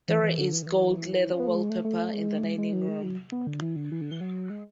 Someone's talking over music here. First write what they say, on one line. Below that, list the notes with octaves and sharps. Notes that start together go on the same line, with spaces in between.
There is gold leather wallpaper in the dining room.
E3
E3
D3
E3
D3
E3
C#4
B3
A3
G#3
A3
A3
G#3
A3
G#3
G#3
F#3
G#3
F#3
B3
D3
E3
D3
E3
D3
E3
F#3
G#3